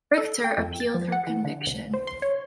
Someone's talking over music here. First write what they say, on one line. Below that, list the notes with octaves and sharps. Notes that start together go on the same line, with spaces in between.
Richter appealed her conviction.
A4
G5
F2
A6
F3
F#5
E3
D3
C2
C5
C6
C#5